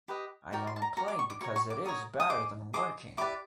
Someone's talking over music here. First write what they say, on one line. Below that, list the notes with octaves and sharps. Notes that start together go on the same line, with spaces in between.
I only play because it is better than working.
G4 B4 D#5
F#4 A#4 D5 G5
C6
A5
A#5
F#4 A#4 D5 A#5
D6
C#6
D6
F#4 A#4 C#5 C#6
C#6
D6
F#4 A#4 C#5 D#6
D#6
G#4 C5 D#5 D6
G#4 C5 D#5 D6
E4 G4 B4 D5 D6